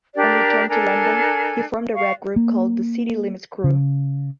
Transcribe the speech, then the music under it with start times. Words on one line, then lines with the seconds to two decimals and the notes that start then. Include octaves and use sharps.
On return to London, he formed a rap group called the City Limits Crew.
0.15 D4 G4 A#4 D5
0.69 D4 A4 A#4 G#5
1.94 F5 C#6
2.36 A#3
3.64 C#3